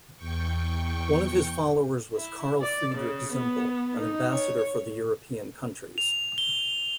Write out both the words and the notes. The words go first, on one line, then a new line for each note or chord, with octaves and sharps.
One of his followers was Carl-Friedrich Zimpel, an ambassador for the European countries.
E2 G5 C#6
E4
D5
C#3
B3
D#4
C#5
F7
G7